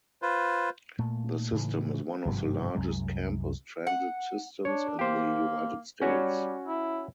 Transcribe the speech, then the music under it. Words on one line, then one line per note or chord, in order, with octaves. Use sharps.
The system is one of the largest campus transit systems in the United States.
F4 B4 C5
A#2 A3
A2 C#3 E3
G#1 G2 C3 F3
C2 F#2 F#3 G#3
F#5
D4 C#5
A#3 G4 C5
G3 C#4 F#4 C#5
E4